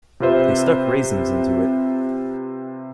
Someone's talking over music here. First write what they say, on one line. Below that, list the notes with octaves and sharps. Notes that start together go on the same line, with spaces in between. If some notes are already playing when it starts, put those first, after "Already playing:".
They stuck raisins into it.
C3 C4 F4 B4 C5 E5